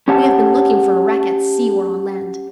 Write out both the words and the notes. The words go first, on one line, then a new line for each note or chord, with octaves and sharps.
"We have been looking for a wreck at sea or on land!"
C#4 G4 C#5 F#5 A5